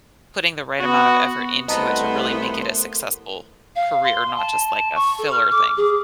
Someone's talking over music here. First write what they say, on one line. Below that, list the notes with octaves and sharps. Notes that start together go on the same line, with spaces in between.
putting the right amount of effort into it to really make it a successful career, not just like a filler thing.
B3 F#4
C2 A3 B3 C5 D#5 A5 A#5
E4 A#4
F5
C6
A5
A5
C#6
A4
F6
D6
G#4